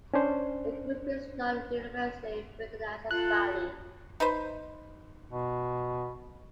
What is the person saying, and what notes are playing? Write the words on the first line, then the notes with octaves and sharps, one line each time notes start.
The grouping is not universally recognized as valid.
C#4 D4 C5
F4 A4 F#6
D#4 B4 C5
B2